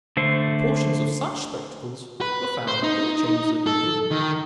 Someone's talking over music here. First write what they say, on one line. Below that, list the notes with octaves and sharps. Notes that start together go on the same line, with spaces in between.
But portions of such spectacles were found in the chambers at New Inn.
D3 A3 C5
B4
C5
D#4
A4
D#3